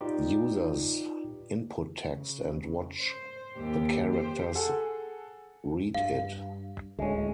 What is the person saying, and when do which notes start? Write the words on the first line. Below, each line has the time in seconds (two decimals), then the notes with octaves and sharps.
Users input text and watch the characters read it.
0.01 D#4 F4 G4 B4 D5
2.11 C#3
2.99 C5
3.56 D#2 G4
4.13 G4 C5
4.55 G#4 A4 F#5 G#5
5.94 G2 F5
6.99 D2 A2 G#3 C#4